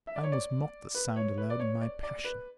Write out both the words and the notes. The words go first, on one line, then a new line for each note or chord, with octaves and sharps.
I almost mocked the sound aloud in my passion.
E5
D5
C#5
D5
B4
C#5
B4
D5
C#5
D5
D5
B4